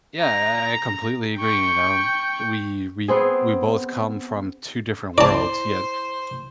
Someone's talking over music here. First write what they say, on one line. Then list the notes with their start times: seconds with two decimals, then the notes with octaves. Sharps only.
yeah, I I completely agree, you know, t we've we c we both come from two different worlds, yet,
0.21 A#5
1.38 G5 C#6
3.08 B3 C4 G#4
5.18 E4 C5 D5 A5